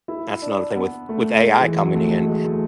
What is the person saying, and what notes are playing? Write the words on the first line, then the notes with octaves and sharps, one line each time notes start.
That's another thing with with AI coming in,
E4
D4
B3
A3
A3
G#3
E3
F#3
A3
G#3
G#3
A3